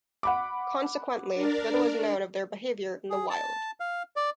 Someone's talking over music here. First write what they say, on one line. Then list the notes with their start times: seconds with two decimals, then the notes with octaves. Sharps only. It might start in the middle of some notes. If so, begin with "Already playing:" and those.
Consequently, little is known of their behaviour in the wild.
0.23 F#5 B5 D6
1.34 D4 A#4 D5
3.10 G#4
3.30 A5
3.80 F5
4.16 D5